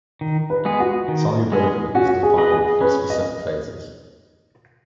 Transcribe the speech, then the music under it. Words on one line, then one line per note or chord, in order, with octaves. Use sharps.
Solubility is defined for specific phases.
D#3
B4
G#3 B3 G#4
F#4
D#3
G#3 B3 G#4
C#4 F#4
G#4
B4 D#5
G#4
C#4 B4
D#5